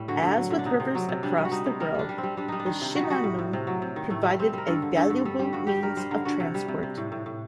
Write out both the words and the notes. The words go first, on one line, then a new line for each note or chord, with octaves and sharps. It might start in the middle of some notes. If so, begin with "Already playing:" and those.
As with rivers across the world, the Shinano provided a valuable means of transport.
Already playing: A2 G3
D3 F#4
D3
F#3
D3
D4
C3 D#4
C3
F#3
C3
G3 D4
G3
F#4
G3 D#4
C3
G3 A#4
G3 D4
G3
C4
G3
G3 D4
G3 D#4
D4
D#3
C3
G3 F#4
D#4
G3 F#4
A2
A2
C3
F#3
C3
D#3
A2 A3
G3
G3 C4
G3 A#4
G2 A4
D3
G2 A4
G2
G3 A4
G3 G4
G2 F#4
G3 G4
G3 A#4
G3 C5
D3 A#4
D3 F#4
C3
G3
C3
C3
A2
A2
A2